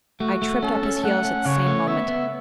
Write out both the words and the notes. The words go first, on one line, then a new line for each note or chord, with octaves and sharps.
I tripped up his heels at the same moment.
A3 F#4
A3
C#4 A4
C#4
A3 F#5
C#4
C#3 C#5
A3
B3 E5
B3